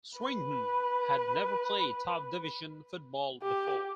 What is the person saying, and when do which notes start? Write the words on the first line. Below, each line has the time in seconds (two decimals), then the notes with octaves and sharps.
Swindon had never played top-division football before.
0.19 B4
3.42 G4